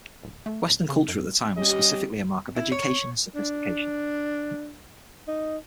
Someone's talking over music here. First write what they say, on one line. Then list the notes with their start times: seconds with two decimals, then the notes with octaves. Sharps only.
Western culture at the time was specifically a mark of education and sophistication.
0.24 D1
0.46 A3
0.68 D1
0.89 C#3
1.08 F#2
1.55 G3 C#4 G4 D#5
2.56 E4
2.72 C#5
3.35 D4
5.28 D#4